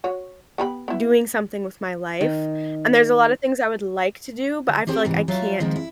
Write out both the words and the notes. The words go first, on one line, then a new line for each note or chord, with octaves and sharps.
doing something with my life. And there's a lot of things I would like to do, but I feel like I can't
F#4 C#5
B3 G4 B5
B3 E4
D#3
D3
C4 G4 G#4 C5 G5
G#2 C3 E3
F#3 F4 F#4 E5 F5
D#3 F3 G#3 C4
E4